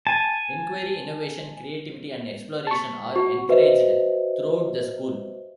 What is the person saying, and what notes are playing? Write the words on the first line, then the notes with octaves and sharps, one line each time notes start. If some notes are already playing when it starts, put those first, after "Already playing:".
Inquiry, innovation, creativity and exploration are encouraged throughout the school.
G#5 A5
A5 C#6
F#4
F#4 B4 C5 D#5 E5